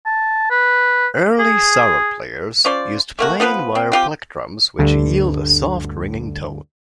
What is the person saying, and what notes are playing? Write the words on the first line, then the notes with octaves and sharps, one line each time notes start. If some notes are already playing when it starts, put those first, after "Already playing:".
Early sarod players used plain wire plectrums, which yield a soft, ringing tone.
A5
B4
G#4
C#4 F4 C5 D5
A3 A#3 F#4
F3 B3 F4 B4
C4
C4 F4 G4
D2 G2 D3